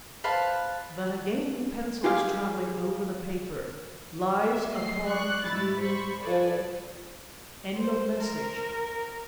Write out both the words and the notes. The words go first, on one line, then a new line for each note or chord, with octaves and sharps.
But again the pencil was traveling over the paper:--lies upon you all... end of message.
B4 C5 F5 A5
F4 G4 G#4 F5
E5
F#3 A3 D#5 C7
D5 C#6 F#6
G#2 E4 B5 A6
C5 B5 C#6
G#4 A4 B4 D5
C5
A#4